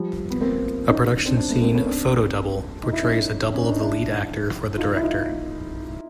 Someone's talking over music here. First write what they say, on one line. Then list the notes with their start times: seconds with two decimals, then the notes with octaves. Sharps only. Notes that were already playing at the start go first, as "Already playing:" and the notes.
A production scene "photodouble" portrays a double of the lead actor for the director.
Already playing: F3 G3
0.30 B3
0.41 A#3 C4
0.89 C#4 D#4
1.25 C4 D4
1.37 C4 D4
1.49 A3 B3
1.62 A#3 C4
1.74 B3 C#4
1.86 C4 D4
2.83 D#4
2.93 E4
3.02 C#4 D#4
3.54 C#4
3.63 D4
3.71 D#4
3.81 D4 E4
4.78 D#4 F4
4.96 E4
5.02 D#4 F4